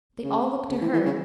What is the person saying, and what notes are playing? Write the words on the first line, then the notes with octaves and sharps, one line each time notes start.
They all looked to her.
C#3
C#3
E3
E3
C#3